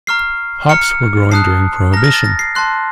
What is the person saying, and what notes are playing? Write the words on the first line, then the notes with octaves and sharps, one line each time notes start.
Hops were grown during Prohibition.
A#5 C#6 F6 C7
A#5 F6 C#7
A5 D#6 F#6 C7
A#5 F6 A#6
A#6
A6
A#6
C7
A5 C6 F#6